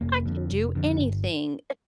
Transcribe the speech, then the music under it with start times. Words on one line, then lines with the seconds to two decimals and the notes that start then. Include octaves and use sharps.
"I can do anything."
0.01 F1 A#3
0.26 F2 D3
0.50 F1
0.75 F2 D3
1.00 G1